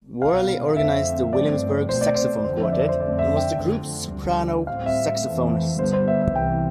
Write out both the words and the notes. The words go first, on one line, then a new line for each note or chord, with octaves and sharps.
Worley organized the Williamsburg Saxophone Quartet and was the group's soprano saxophonist.
C2 B2 B3 F5
F2 D3 A3 C4 E5
G2 F3 A3 C4 D5
B2 A3 C4 C5
D5
C5
F2 D3 F3 C5
E5
D5
C5
F2 D3 A3 C4 D5
E5
G5
F2 D3 A3 C4
D2 D3 G3
A2 G3 C4 F5
E5
F2 E3 A3 C4
G2 D3 G3 B3 C5
C5
E5
E5
C2 C3 E3 G5